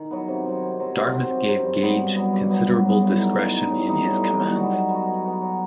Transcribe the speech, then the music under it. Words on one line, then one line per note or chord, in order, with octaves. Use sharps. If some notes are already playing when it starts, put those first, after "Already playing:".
Dartmouth gave Gage considerable discretion in his commands.
Already playing: D#3
F#3 B3
C3
F#3 C4
C3
F#3 C4
C3
F#3 C4
C3
F#3 C4
G2
F#3 B3
G2
F#3 B3
G2
F#3 B3
G2
F#3 B3
A2
G3 D#4
A2
G3 D#4
A2
G3 D#4
A2
G3 D#4
F#3
B3 F#4
F#3
B3 F#4
F#3
B3 F#4
F#3